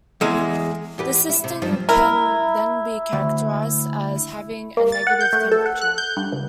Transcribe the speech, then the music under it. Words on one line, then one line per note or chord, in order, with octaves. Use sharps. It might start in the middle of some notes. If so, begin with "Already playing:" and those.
The system can then be characterised as having a negative temperature.
E2 G#3
E2 G4 B4
E4
C3
G2 F3
E4 A#4
D2
A#3
A6
F#5
G6
A3
A4
F#5
F#6
G6
G2
C#2